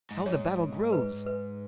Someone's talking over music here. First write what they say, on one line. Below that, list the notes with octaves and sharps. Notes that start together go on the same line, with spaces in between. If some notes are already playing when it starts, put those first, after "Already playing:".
How the battle grows!
G#2
G#2 C#5
B4
B4